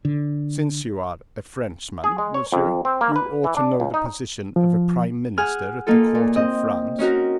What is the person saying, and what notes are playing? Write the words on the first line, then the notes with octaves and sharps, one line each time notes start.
"Since you are a Frenchman, monsieur, you ought to know the position of a prime minister at the court of France."
D3
G#4
G#3
C#5
F2
C4
A#3
B4
E3
D4
C#2
D#4
F3
G#4 F#5 G#5 F6
A#3 D#4 F4 A4
A#2
C4 D#5
C#4 D#4 F#4 A#4